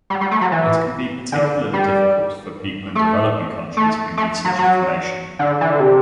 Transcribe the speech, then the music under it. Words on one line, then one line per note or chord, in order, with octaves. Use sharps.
It can be particularly difficult for people in developing countries who need such information.
G3
G3
A3
F#3
E3
D3
G3
A3
A3
A3
F#3
F#3
D3
E3
D3
C3